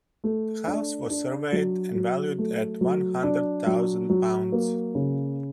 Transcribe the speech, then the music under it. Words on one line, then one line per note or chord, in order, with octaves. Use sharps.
The house was surveyed and valued at one hundred thousand pounds.
A3
D4
D4
F#3
F#3
A3
F#3
D4
F#3
F#3
A#3
C#3